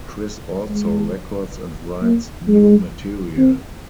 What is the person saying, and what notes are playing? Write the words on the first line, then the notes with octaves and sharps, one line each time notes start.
Chris also records and writes new material.
G#3
A#3
G#3
C4